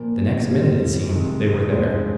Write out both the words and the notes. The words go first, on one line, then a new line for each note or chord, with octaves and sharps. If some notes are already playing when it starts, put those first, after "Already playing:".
The next minute, it seemed, they were there.
Already playing: A#2 F3 A#3
G#2 G3 C4 F4
F2 C3 D#3 G#3
G2 F3 G#3 C4